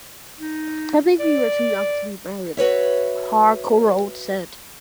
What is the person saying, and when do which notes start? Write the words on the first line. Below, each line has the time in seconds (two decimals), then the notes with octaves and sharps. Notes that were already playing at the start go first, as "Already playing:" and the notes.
"I think we were too young to be married," Harkleroad said.
0.39 D#4
1.19 D5
2.57 F#4 B4 C#5 E5